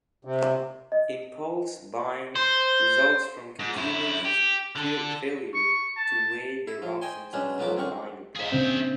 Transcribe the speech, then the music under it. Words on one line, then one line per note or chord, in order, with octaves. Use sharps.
Impulse buying results from consumers' failure to weigh their options before buying a product.
C3
D#5
C5
G#2
F#2 E4
G4
D3 A4
C#6
A5
E4
F3
C5 D#5 G5 G#5 C6
B2 F#3 G#3 C#4 D4
B1 F3 F#3 B3 D#4 D6
F#2 D3 C4 A#4 C#6
G#4 E5 F5
A#2 C#3 C4 D4